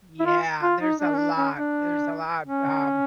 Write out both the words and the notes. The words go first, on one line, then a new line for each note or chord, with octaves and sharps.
Yeah, there's a lot, there's a lot, um.
E4
F4
F4
D#4
D4
C#4
D4
C#4
D4
C#4